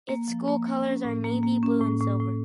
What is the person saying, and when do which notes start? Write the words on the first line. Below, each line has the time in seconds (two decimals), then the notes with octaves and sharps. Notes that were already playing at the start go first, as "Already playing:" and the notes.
Its school colors are navy blue and silver.
0.09 A#3
0.28 F3
0.48 A#3
0.66 A#3
0.86 C#4
1.04 A2
1.24 A#3
1.43 A#3
1.63 C#4
1.81 A2
2.01 A2
2.20 A2